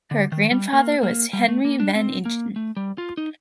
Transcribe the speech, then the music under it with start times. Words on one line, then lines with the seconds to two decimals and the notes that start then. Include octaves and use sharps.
Her grandfather was Henry van Ingen.
0.11 D3
0.32 D#3
0.51 G3
0.73 A#3
1.03 A#3
1.33 G3
1.49 A3
1.65 A#3
1.80 D4
1.96 C4
2.25 A#3
2.56 A3
2.77 G3
2.98 F4
3.17 D#4